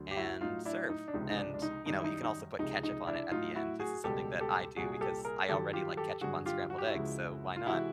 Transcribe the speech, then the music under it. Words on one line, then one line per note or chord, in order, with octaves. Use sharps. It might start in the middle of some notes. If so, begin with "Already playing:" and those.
and serve. And, you know, you can also put ketchup on it at the end. This is something that I do because I already like ketchup on scrambled eggs, so why not?
Already playing: D2 D3 F#3
G4
E4 F#4
A2 F#3 D#4 F4
D4 E4
D#4
D4
C#2 C3 F3 G#3 D#4
D#4
D4
D4
D#4
F#2 D#3 G3 D#4
E4
D#4
D#4
C#2 C3 F3 G#3 D#4
D#4
D4 E4
A2 F#3 D#4 F4
E4 F#4
F#4 G#4
C#2 B2 G3 G4 A4
G4 A4
C2 A#2 G3 F#4 G#4
G#4
G4 A4
G#4 A#4
G2 D#3 F#3 G4 A4
F4 G4
G4 A4
G2 D3 F#3 F#4 G#4
F4 G4
F#4
G4
E4 F#4
C#2 C#3 F3 G#3
F4
C3 E3 G#3 E4 F#4